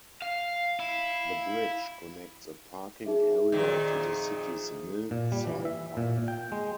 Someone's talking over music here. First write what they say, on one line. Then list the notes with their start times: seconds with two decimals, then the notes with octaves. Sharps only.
The bridge connects a parking area to the city's Mill Site Park.
0.22 F5
0.80 E4
3.06 D#4 G#4 E5
3.52 F2 A#2 D#3
5.11 A#2
5.32 G3
5.47 E3
5.65 E5
5.97 A#2
6.28 G5
6.52 G#3